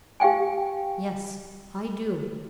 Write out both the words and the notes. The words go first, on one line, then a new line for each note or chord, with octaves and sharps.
"Yes, I do."
G4 F5 G5 G#5